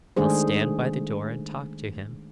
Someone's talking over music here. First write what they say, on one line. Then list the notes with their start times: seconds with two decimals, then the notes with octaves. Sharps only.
'I'll stand by the door and talk to him.'
0.17 D#3 G#3 A3 D4 G#4 C5